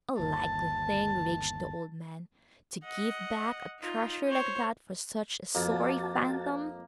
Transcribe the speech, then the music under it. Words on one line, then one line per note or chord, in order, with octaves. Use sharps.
"A likely thing," raged the old man, "to give back a treasure like that for such a sorry phantom."
G1 D#2 A5
D#5 F#5
D#4 F4
C5 C#5
F2 A#3 F#4 A5